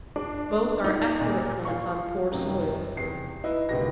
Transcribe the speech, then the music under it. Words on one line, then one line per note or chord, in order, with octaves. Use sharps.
Both are excellent plants on poor soils.
D4
D#4
A#2
F5 C#6
F#2 C3 D#3
E2 C3 C7
D#4 E4 B4 D#5
F#1 C#2 B2 D#3 G4 A#6